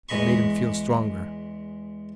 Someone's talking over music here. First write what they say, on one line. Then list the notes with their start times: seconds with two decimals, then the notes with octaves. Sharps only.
It made him feel stronger.
0.09 E2 G#3 D#5 B5 C#6